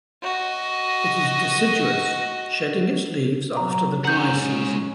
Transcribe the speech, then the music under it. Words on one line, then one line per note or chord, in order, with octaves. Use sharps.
It is deciduous - shedding its leaves after the dry season.
F#4 D#5
F#3 A#5
G#3 C#4 F#5 A#5 G6